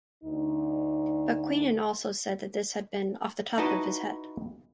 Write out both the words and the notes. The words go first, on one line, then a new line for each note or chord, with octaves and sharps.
But Queenan also said that this had been "off the top of" his head.
D2 D#4
D#4 E4 F#4 B4 D#5 A5